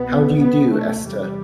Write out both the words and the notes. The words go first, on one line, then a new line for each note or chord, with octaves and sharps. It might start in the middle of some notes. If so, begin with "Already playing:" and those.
How do you do, Esther?
Already playing: C2 B2 B3
B3
A3
E2 C3 G3